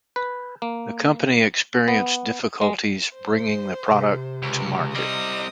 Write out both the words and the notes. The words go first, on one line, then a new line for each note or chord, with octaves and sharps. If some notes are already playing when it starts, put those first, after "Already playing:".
The company experienced difficulties bringing the product to market.
B4
A#3
B3
G#3
C5
C3
C#2
G3 C4 D#5 D#6